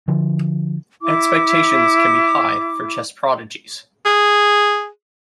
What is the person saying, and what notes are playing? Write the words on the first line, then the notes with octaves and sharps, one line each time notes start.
Expectations can be high for chess prodigies.
D3 F3
E4 D6
G#4